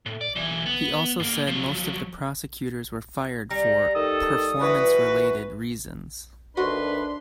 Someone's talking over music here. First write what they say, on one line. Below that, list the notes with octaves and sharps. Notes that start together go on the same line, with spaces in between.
He also said most of the prosecutors were fired for "performance-related" reasons.
A2
D5
B1 E3
B3
G#2 A#3
F3 F#3
G3 A#5
D#3 A4 D#6
E3 F#4 B4
D2 D#3 D4 F#4 B4 C6